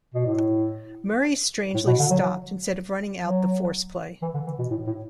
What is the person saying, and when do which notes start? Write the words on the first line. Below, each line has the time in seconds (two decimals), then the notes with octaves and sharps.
Murray strangely stopped instead of running out the force play.
0.14 B2
0.26 A2
1.74 A2
1.87 B2
1.99 D3
2.11 F#3
3.22 F#3
4.22 E3
4.34 D3
4.47 E3
4.59 B2
4.70 A2
4.87 A2